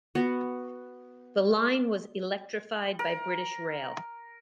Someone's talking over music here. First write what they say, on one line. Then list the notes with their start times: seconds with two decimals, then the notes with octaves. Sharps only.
The line was electrified by British Rail.
0.15 B3 F#4
2.99 A#4